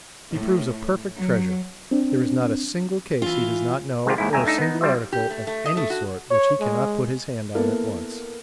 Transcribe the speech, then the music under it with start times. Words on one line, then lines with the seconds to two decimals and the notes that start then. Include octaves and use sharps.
He proves a perfect treasure; there is not a single case he does not know or a single article of any sort which he cannot put his hand on at once.
0.33 A2
1.18 F#3
1.91 C4 D4
3.22 E3 F4
4.06 G#2 D#3 G#3 C4 F4 G4
4.18 D#2 G#2 E4
4.33 G1 D#2 E5 G5 G#5 A#5
4.45 A3 D4 D#4 E5
4.58 B3 D#4
4.81 F#3 G3 F4 E5
5.12 G4
5.30 A3
5.47 A3
5.66 D#5
5.77 A3
5.90 F#4
6.31 C#5
6.60 G#3
7.55 A#3 B3 E4 A4 A#4